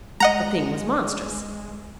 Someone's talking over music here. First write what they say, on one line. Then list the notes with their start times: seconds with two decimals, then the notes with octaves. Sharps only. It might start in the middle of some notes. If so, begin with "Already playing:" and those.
The thing was monstrous.
0.20 G#3 D#5 F#5 A#5